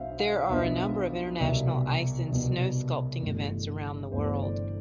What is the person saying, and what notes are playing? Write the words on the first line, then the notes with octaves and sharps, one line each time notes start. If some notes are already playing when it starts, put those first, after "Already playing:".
There are a number of international ice and snow sculpting events around the world.
Already playing: B1 B2 B3 D4 C5 E5 F5
F5
B1 B2 B3 D4 E5
C2 B2 B3 E5
C2 B2 B3
G1 G2 E3 A3
G1 G2 E3 A3 C5
D5